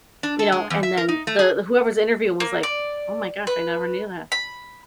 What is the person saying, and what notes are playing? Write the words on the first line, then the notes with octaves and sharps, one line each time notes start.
you know, and then the whoever's interviewing was like, "Oh my gosh, I never knew that."
D4
A4
G#3
E2
E5
A#4
D#4
A3
G#4
A#3
D5
B4
B5